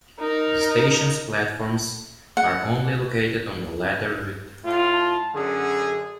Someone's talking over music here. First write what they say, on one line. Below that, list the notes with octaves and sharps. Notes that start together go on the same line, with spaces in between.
The station's platforms are only located on the latter route.
D#4 A#4
F#5
A2 F4
A5
F#2 D3 G#4